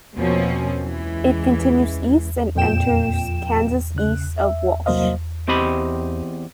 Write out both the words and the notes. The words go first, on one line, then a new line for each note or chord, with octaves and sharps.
It continues east and enters Kansas east of Walsh.
B2 F3 A#3 C4 C#4
C#2 E3
F2 A#2 G5 E7
C#2 C#3 F#6
E5
C2 F#3 A#3 C5 D#5 F5
E2 C4 G4 D#5 B5